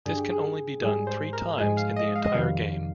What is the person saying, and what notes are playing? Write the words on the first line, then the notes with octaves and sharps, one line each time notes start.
This can only be done three times in the entire game.
G2 D3 G3 G#4
G4
G#4
G#2 G3 G#4
C5
A#4
G#2 F3 G#3 G#5
F5
D#5
F5
D#5
F2 C3 D#3 G3 F5